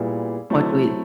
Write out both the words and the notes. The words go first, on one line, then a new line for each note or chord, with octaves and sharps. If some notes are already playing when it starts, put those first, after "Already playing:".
What do we
Already playing: A#2 G3 B3 E4 G#4
F#3 A3 C4 E4